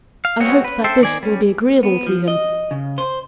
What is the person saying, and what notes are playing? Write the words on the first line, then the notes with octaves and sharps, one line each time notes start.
I hope that this will be agreeable to him.
F5
G#3 B3 C4 F#4 C#5
B4
A4 C5 E5 G5
D#3 D5 G#5
G3 C#4
B3
F3
D#5
C#3
C5